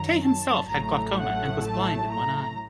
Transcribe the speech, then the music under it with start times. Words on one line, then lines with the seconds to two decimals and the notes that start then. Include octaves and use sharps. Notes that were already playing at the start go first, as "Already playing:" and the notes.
Tay himself had glaucoma and was blind in one eye.
Already playing: F#2 D#3 F#3 A#5
0.22 A5
0.69 A1 A2 F#3 A3 A#5
1.16 F#5
1.64 A5
2.11 A#5